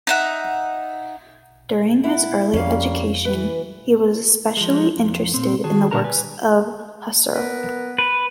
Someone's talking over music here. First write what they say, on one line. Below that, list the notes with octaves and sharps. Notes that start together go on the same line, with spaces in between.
During his early education, he was especially interested in the works of Husserl.
D#4 E5 F#5
E4 F#5
F2 G3 A#3 C#4 F5
E3 B4
F3 G#3
F2
A#2 C4
D#3 F#4 G#4 A5
A#2 D3 A#4 A5 A#5
B4 G#5
B3 A#4 B4
B4